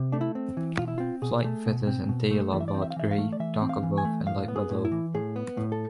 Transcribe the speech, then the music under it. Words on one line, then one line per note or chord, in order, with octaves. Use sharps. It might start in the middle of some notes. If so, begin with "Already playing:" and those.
Flight feathers and tail are barred grey, dark above and light below.
Already playing: C3
A3 D4
E4
C4
E3
B2 F4
E4
C4 F4
B2 G#4
A3
B2
C4
B2
A3
E3 D5
E5
D5
C4
E5
F5
E3 E5
F5
A3
D5
E3 E5
C4
F5
E3
G#5
A3
A2 F5
B3
G#4
A2
E4
E3
A2 G#4
B3
A2
A4